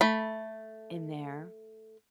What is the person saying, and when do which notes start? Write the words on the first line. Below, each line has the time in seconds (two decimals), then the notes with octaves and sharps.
In there.
0.01 A3 B5